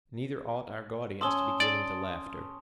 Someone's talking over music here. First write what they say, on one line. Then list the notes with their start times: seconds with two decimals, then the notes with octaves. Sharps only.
Neither ought our guardians to be given to laughter.
1.21 C#4 A5 C6 D#6 E6 G7
1.60 D5